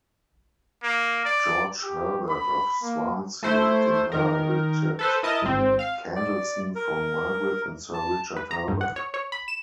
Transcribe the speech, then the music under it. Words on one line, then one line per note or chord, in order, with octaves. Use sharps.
George Herbert of Swansea inherited Candleston from Margaret and Sir Richard Herbert.
A#3
D5
G4
B5
A#3
A3 E4 C5
D#3 A#4
A4 B4 C5
E4 A#4 D#5 A5
G#1 C4
F5
D5
A#4
A5
B4
A#5
G2
F#5
C#5
C#5
B5
E7